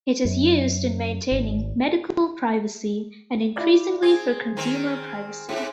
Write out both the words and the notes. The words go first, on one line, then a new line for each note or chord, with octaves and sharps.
It is used in maintaining medical privacy and increasingly for consumer privacy.
F#2
G#1
E4 F4 G4 D5
C4 G#4 G#6
D#3 C4 A#4 G#5
G#2 C5